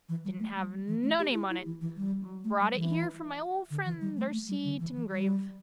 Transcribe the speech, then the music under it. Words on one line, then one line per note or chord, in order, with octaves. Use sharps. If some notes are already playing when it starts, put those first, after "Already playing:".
Didn't have no name on it--brought it here for my ole fren', Darcy, t' engrave.
E3
G3
A3
G3
E3
A3
G4
E4
E4
E3
E3
G3
A3
G3
E3
D3
E3
G3
A3
A3
G3
D3
E3
E3
G3